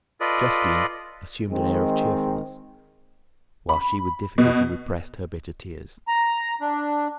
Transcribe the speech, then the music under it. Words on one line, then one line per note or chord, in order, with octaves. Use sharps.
Justine assumed an air of cheerfulness, while she with difficulty repressed her bitter tears.
F4 A4 B4 D5 D#5
D#3 G#3 C4
B5
B2
A#5
D4